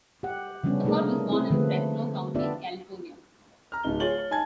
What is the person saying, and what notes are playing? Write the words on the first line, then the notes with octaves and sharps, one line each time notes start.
Acord was born in Fresno County, California.
G4 F#5
C#3 F3 G3 B3 C#4 D4
C3 A3 A#3 D#4 G#4 A#4
C4 E4 G#4
D3 F3 A3 A#3 B4
B3 D4 F4 G4 D5 E5
A#5 F6
D1 D#4 G7
F4 G#4 C#5 A6 F#7 G7
C#5
D#4 G#5 A5 G#6